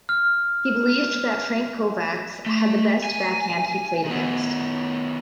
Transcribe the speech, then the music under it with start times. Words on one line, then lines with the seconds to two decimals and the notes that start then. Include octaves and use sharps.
He believed that Frank Kovacs had the best backhand he played against.
0.09 F6
2.46 A3
3.04 G#5
4.05 D#3 B3